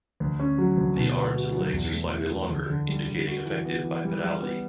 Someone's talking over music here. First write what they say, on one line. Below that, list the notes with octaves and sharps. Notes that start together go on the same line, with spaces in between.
The arms and legs are slightly longer indicating effective bipedality.
D2
C#4
F#3
D2
B2
B3
F#4
F#3
E2
A3
E4
A3
D2
D3
G3
D3
F#4
E3
B3
E3
G3
G3
B3